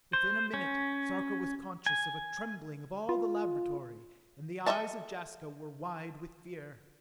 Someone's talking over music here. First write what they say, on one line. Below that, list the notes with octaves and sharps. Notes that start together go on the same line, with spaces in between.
Within a minute, Sarka was conscious of a trembling of all the laboratory, and the eyes of Jaska were wide with fear.
C5
C#4
G#5
F4
A4 C5 D#5 E5 A5